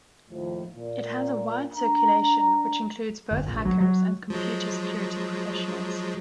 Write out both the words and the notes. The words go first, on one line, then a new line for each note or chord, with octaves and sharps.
It has a wide circulation which includes both hackers and computer security professionals.
D#2 A2 F3
A#2
D4 A#5
G1
A#1
F#3
F#3
F3 F#3 G#3